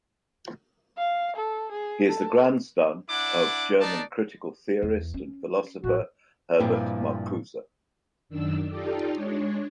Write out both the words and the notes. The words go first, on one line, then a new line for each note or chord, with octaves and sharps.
He is the grandson of German critical theorist and philosopher Herbert Marcuse.
F5
A4
G#4
A4
D4 E4 F#5 D6
D4 D#4 D5 A5
E2
C#4
A1 F#4
G2 A#2 F3 C4 E4 G5
F#2 D#3 D4 E6
D#4 F4 G4 A4 D5
G#3 D4 C#5